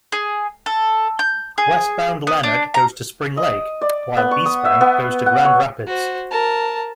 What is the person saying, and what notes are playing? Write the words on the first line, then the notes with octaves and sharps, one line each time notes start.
Westbound Leonard goes to Spring Lake, while eastbound goes to Grand Rapids.
G#4
A4
G6
G#4
B3
D4
A#5
D#5
D5
B3
C#6
D#6
E5
B3
F#5
C#5
F#4 C5
A#4 A5